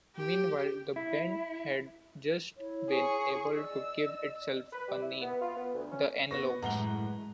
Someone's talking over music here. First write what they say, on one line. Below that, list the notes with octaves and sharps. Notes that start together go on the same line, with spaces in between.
Meanwhile, the band had just been able to give itself a name: The Analogs.
G4
E4
E4 C#5
G#4 C#6
D5 D#5 E6
B4
G3
E4
B3
F4
B3
D2
C#4
B3 C#6 A#6
F#2 A2 E3 G#3 F#5 A#5 G7